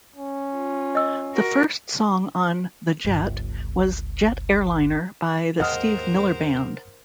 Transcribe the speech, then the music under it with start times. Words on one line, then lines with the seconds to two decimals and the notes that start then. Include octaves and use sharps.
The first song on "The Jet" was "Jet Airliner" by The Steve Miller Band.
0.16 C#4
0.53 F4
0.95 D#5 E6
1.33 F#4 A#4
3.04 G1 C#2
5.60 D#2 G#2 A#4 C5 D#5 F#5 D#6 F6